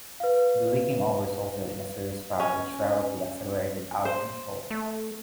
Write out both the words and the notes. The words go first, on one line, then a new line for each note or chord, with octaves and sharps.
The leaking oil resulted in a serious fire which rapidly accelerated out of control.
B4 F5
C#4
C5
A3